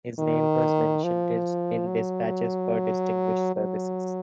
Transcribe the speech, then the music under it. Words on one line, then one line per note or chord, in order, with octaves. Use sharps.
His name was mentioned in dispatches for distinguished services.
D#3
F3
F#3
F#3